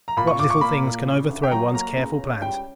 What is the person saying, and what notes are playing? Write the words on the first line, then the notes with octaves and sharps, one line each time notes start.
What little things can overthrow one's careful plans!
A#5
A#2 B5
C#6
A#2 D6
C#6
A#3 B5
A#2
C#3
D2
G5
F#3 A#5
A#3 A#5
C#2
C#4
G3 G5